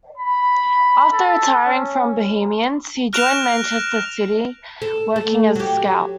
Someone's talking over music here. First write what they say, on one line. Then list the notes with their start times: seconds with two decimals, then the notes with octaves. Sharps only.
After retiring from Bohemians he joined Manchester City, working as a scout.
0.18 B5
1.12 A4
1.67 C#4
3.13 F6 F#6 A#6 D7 E7 F7
4.82 A4
5.16 A3
5.55 F#3 G4